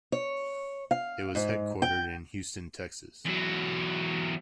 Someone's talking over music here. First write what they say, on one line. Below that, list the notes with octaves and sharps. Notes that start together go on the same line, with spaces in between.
It was headquartered in Houston, Texas.
C#5
F5
G#2
G5
E2 F#3